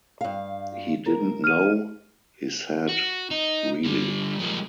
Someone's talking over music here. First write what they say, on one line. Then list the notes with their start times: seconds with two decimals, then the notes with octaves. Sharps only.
He didn't know, he said, really.
0.21 G2 F5
1.06 A#4
1.44 F6 D#7
2.89 F#4
3.31 D#4
3.85 D3 G3
4.39 F3 G3 G#3 A#3